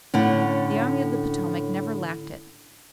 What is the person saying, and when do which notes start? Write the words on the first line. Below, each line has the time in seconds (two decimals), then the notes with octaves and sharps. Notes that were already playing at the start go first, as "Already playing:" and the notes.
The Army of the Potomac never lacked it.
0.14 A2 D3 C#4 F#5